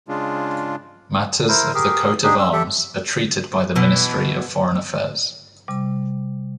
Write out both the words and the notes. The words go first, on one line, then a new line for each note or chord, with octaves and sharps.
Matters of the coat of arms are treated by the Ministry of Foreign Affairs.
C#3 G#3 D4 F4
E4 A#4 C5
G4 G#4 A#4
D4 D#4 G4 G#4
C#4 E6
G4 A4 E5
B2 E3
C3 G3 D6